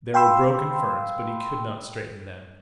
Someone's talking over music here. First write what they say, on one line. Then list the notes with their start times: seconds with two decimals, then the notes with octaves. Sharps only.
There were broken ferns, but he could not straighten them.
0.14 F5 G5 B5 C6 E6